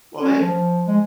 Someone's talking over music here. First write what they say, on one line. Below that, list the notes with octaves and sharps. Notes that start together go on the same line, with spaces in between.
Well, they
C#4
F3
G#3